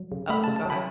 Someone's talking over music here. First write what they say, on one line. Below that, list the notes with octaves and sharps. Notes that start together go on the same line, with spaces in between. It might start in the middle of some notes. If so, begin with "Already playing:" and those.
Oh, go ahead.
Already playing: F#3
C#3
A3 B5
A5
C#3
A5
F#3 B5